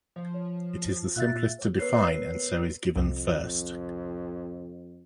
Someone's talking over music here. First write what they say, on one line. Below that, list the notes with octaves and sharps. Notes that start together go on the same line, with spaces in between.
It is the simplest to define, and so is given first.
F3
C#5
A#2 F4 E5 F#6 A6
B3 A#4 B4 C#5 F#6 C7
C2 F2